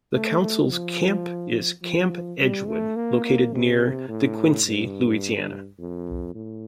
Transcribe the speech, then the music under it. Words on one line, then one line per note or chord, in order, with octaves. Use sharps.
The Council's Camp is Camp Edgewood, located near DeQuincy, Louisiana.
A3
A3
F3
F3
G3
A3
A#3
A#3
C3
A2
G2
F2
A2